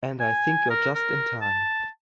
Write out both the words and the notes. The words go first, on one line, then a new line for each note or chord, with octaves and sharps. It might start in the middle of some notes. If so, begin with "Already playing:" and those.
And I think you're just in time.
G#5
A#4
A#4
A5